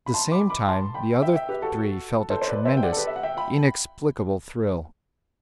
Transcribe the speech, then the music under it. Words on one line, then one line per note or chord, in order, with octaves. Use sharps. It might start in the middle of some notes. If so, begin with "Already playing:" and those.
At the same time, the other three felt a tremendous, inexplicable thrill.
B5
A5 C6
B5 D6
B5 D6
A5 C6
G5 B5
E5 G5
E5 G5
G4 B4
F#4 A4
A4 C5
C5
B4 D5
C5 E5
G5
D5 F#5
A4
G4 B4
E5
F#5
E5 G5
G5 B5